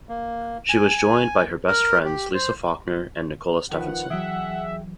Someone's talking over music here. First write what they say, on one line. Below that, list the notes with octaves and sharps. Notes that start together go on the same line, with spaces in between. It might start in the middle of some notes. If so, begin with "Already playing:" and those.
She was joined by her best friends Lisa Faulkner and Nicola Stephenson.
A#3
G#5
A#4
G4
C5
D#3 F3 B4 F#5
E3 F#3 G#4 E5 G5